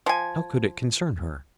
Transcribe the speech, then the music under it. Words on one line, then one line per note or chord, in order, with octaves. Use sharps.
How could it concern her?
F3 G#5